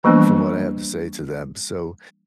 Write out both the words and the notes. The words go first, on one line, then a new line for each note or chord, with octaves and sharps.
from what I have to say to them.” So,
E3 F3 G3 A#3 B3 D4